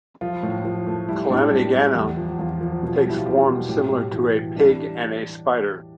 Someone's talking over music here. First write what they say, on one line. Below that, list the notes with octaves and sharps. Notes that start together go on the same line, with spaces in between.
Calamity Ganon takes forms similar to a pig and a spider.
F3 F4
A2
F3
A3
G3 E4
A2 D4
G3
G3
E2
F3
E2 F4
F3
B2
G3
E4
F4
G3 G4
B2
A2 G4
A2
E3
E3
G3 D4